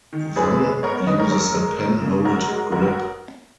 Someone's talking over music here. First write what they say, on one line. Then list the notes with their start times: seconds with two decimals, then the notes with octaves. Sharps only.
Wang uses a penhold grip.
0.13 D#3
0.36 F#2 G#4 B4
0.60 G#3
0.83 B3 A#4 C#5
0.95 A#4 C#5
1.07 D#3 B4 D#5
1.18 A#4 C#5
1.31 F#2 A#4 C#5
1.54 G#3
1.78 F#2
2.02 C#3
2.24 F#2 F#4 A#4
2.48 G#3
2.72 F#2 F#4 A#4
2.83 B4
2.88 F#4 A#4